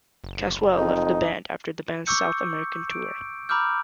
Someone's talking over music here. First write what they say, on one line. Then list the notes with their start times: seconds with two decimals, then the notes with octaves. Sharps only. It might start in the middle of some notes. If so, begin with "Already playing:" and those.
Casswell left the band after the band's South American tour.
0.24 F#1
0.77 F2 D#4
2.07 C#6 D6 E6 G6 C#7
2.91 D7
3.49 A#5 B5 D6 E6 F6 G6